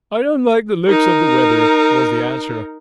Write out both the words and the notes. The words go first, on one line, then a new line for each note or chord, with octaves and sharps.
"I don't like the looks of the weather," was the answer.
D#4 A#4